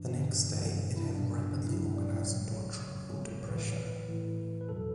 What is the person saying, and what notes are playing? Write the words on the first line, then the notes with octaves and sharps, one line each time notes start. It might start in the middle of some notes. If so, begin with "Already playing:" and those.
The next day, it had rapidly organized into a tropical depression.
Already playing: G2 E3 D4
G2 E3
E4
G2 F#3 D4
G2 F#3 E4
D5
F#2 C#3 F#3 C#5
F#2 C#3 F#3 C#5
C#5
A2 E3 B4
A2 E3
B4
E2 B2 F#3 A4